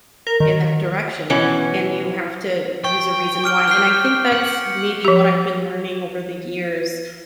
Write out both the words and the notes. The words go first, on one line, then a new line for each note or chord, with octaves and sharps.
in that direction, and you have to use a reason why, and I think that's maybe what I've been learning over the years,
A#4
D#3
B2 E3 C#4
G5 C#6
D6 F6 D7
F6 G6 C7
F#5
F3 G4